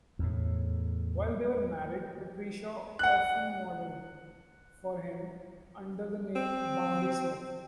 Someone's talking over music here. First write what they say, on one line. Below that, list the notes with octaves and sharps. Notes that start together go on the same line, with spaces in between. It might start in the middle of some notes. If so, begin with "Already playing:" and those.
While they were married, Patricia often modeled for him, under the name Bambi Smith.
E2 A2
F#5 F#6
C4